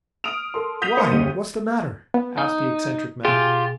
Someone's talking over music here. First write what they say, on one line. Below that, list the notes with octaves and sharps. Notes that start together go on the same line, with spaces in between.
"Why; what's the matter?" asked the eccentric man.
D#6 F6 D7 F7
A4 A#4 C6
D#6 G6 B6 C7 D#7 F7
A#3 C5 D#5 D#6 C#7
F#1 D#2 D3 G3 G4 D#7
B3
D#4
B2 F4 G4 G#4